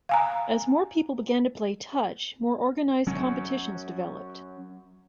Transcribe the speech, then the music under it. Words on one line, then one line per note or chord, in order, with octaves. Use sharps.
As more people began to play Touch more organised competitions developed.
F5 G#5 A#5
F#3 C#4